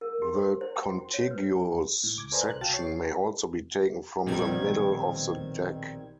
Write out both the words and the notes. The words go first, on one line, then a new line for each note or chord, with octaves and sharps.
The contiguous section may also be taken from the middle of the deck.
A#4
G4
C5
C5
G5
F#4
C#5
B4
A2
C#2 D6 G#6
A4 B4 C5 D5 G#5 A#5
C2 F#6
C2 F#4 F5 G5 A5 A6
C#5 C7
A#1 B2 D#3 G3 C4 G#6